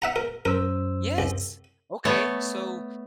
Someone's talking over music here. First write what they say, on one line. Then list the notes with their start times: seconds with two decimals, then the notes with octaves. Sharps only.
yes. Okay. So,
0.02 E5 F#5 A#5
0.16 A#4
0.45 F#2 A#4 C5 E6
1.18 C2
2.05 A3 B3 C#5